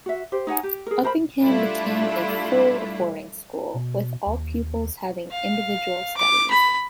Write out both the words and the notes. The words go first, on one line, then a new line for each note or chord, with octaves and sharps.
Uppingham became a full boarding school, with all pupils having individual studies.
F#4 E5
G4 C5
D#4 C#5 F#5 G#5
G4
G#4 A#4
A#4 C5 A#5 B5
G3 A3 D4 E4 F4
B2
D#2
F5
D6
B5